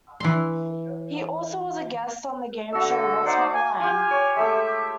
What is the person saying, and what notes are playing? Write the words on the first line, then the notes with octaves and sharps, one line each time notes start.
He also was a guest on the game show What's My Line?
E3 C6
D3 F#4 A4 E5
D#4 C5 D5 F#5 D6 D#6
G#5
F4 G4 G#5
C#5
G#3 A3 G4 E5